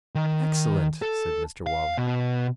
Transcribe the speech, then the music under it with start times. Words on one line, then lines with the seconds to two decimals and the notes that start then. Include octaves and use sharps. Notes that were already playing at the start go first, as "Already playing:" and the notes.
'Excellent,' said Mr Waller.
0.15 D#3
1.02 A4
1.67 F5
1.98 B2